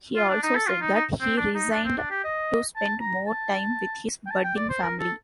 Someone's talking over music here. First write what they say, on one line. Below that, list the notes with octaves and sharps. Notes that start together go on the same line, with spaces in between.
He also said that he resigned to spend more time with his budding family.
F4
D4
D#4
A4
F4
D#4
D#4
C4
D4
D#4
D4
C4
D4
G4
D#5
A5
A#5
A5
G5
A5
G5
D5
C5
A#4
A4